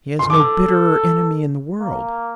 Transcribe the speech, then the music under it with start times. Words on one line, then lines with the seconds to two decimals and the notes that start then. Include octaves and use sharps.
He has no bitterer enemy in the world!
0.19 C6
0.30 A4 D6
1.81 A#3